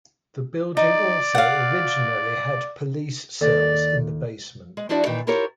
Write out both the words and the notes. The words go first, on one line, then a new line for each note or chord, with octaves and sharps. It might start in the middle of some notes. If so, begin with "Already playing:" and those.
The building also originally had police cells in the basement.
D#4 D5
F5 F#5
D#2 A4 D5
G#3
F3 D4 E4 F#4 D5 E5
A#2 D#3 E3 G5
E4 F4 G4 A#4 C5 C#5